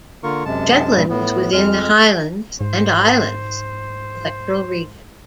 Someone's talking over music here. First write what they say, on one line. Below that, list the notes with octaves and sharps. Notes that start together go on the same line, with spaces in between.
Shetland is within the Highlands and Islands electoral region.
D3 A#3 F4 A#4 C#6
F#2 C3 G#3 A5
G2 A#2 G3
A2 B3
F2 G#3 F6
G#2 C5